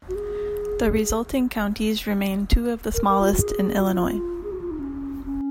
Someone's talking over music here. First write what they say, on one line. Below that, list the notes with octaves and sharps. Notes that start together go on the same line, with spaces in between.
The resulting counties remain two of the smallest in Illinois.
F#4
G#4
A#4
A#4
F4
F#4
G#4
F#4
F4
G#4
F#4
F4
D#4
C#4
C#4